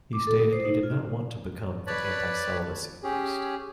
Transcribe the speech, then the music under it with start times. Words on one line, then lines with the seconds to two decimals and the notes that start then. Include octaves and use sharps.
He stated he did not want to become the "anti-celibacy priest".
0.13 D6
0.27 A4
0.40 D#6
0.53 C5
0.65 D#4
0.83 F4
1.87 B4 C#5 D5 A5 B5
3.03 C#4 G4 G#4